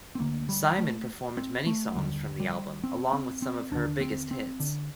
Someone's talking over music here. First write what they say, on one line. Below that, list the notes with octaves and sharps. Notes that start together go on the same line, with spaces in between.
Simon performed many songs from the album, along with some of her biggest hits.
C4
D2 D3 A#3
G3
A3
C4
A3
D#2 D3 G3
G3
C4
C4
C4
D#2 D3 D4
C4
C4
D3